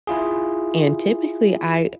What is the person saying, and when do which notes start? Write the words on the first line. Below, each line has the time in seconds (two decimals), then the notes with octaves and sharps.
and typically I
0.07 E4 F4 G#4